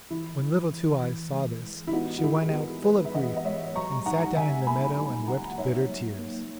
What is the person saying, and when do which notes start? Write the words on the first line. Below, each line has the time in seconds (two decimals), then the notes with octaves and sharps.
When Little Two-eyes saw this, she went out full of grief, and sat down in the meadow and wept bitter tears.
0.10 E3 E4
0.41 E3
0.71 E3
1.02 E3
1.33 G#3
1.62 E3
1.87 E4
1.93 B3 D#4 F#4
2.18 F#4
2.23 G#3 E4 G#4
2.49 G#4
2.53 B3 F#4 A#4
2.84 G#3 G#4 B4
3.05 E5
3.14 E3 D#5 F#5
3.37 D#5
3.45 G#3 C#5 E5
3.76 F#3 A#5 C#6
4.06 D#4 F#5 A#5
4.25 A#5
4.36 C#3 E5 G#5
4.67 A#3 G#5 B5
4.97 D#4 G#5 B5
5.28 C#3 F#5 A#5
5.51 F#5
5.58 D#4 C#5 E5
5.88 F#3
6.19 A#3